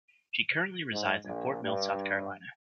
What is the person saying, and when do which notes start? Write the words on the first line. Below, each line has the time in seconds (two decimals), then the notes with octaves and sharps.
She currently resides in Fort Mill, South Carolina.
0.90 G#2
1.25 A#1
1.62 G2